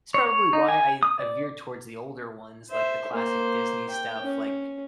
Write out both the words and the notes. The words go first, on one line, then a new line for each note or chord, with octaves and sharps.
is probably why I I veered towards the older ones, like, the classic Disney stuff, like,
C#5
C#5
D#4
G#5
D#6
D5
C5 E5
A#3 C5
G5
C#4